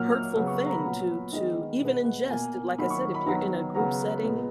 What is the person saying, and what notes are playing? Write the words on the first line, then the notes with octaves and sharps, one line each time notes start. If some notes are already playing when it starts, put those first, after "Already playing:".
hurtful thing to to even ingest, like I said, if you're in a group setting
Already playing: A#2 F#3 A#3 F6
F6
C#3 F#3 B3
C#6
A#5
B5
A#2 F#3 B3
D#3 G#3 B3 D#5
B2 G#3 B3
F#5
B2 A#3 G#5
D#3 F#3 A#3 B5
C#6
B5
D#3 F#3 B3 A#5
C#3 F#3 B3 A#5
A#2 G#3 B3